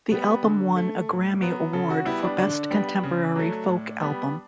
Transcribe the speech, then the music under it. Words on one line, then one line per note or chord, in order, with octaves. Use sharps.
The album won a Grammy Award for Best Contemporary Folk Album.
G3 B3
D3
A3
A2
F#3 B3
C#3 A4
F#4
G3 B3 E4
D4
D3 D4
G3 B3
C#3
F#3 A3
A2
G3 B3